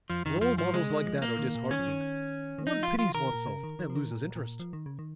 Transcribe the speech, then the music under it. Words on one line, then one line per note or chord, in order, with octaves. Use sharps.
Role models like that are disheartening. One pities oneself and loses interest.
F2 F3
F2 D#3
G#2
F2 F3
G#2 F3
C#3 G#3
D#3
F3
A#3
D#3
A#2
D#3 C#4
F3
D#3
D#3
F3 D#4
F4
F4
D#3 A#4
A#2
C#3
D#3
D#3
F3
D#3
A#2
A#2
F3
D#3
C#3
D#3